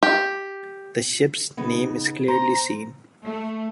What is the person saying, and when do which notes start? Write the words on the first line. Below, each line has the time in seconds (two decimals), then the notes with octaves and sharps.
The ship's name is clearly seen.
0.03 G4
1.57 C#3 B3 D#4
2.28 C5 A#5
3.25 A3